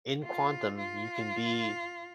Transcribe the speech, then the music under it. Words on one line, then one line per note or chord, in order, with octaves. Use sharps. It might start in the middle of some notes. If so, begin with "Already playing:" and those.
In quantum, you can be
F4
F4